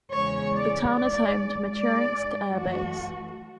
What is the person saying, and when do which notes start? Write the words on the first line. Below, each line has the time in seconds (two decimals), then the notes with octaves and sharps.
The town is home to Michurinsk air base.
0.12 E2 C#3 G#3 C#5
0.53 D5
0.92 G#2 G#3 D5
1.73 G#2 G#3 D5
2.52 F#2 E3 A3 F#4